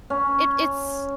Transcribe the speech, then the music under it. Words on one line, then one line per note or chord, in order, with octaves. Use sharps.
it it's
C#4